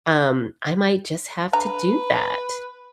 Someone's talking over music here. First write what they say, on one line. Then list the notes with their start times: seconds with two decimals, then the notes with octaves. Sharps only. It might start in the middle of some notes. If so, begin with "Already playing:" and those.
um, I might just have to do that.
1.53 D3 B4 A#5